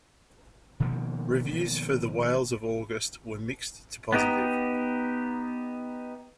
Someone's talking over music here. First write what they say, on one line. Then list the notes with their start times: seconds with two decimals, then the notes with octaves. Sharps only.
Reviews for "The Whales of August" were mixed to positive.
0.80 B2 D#3 F3 A#3
4.12 B3 D#4 G4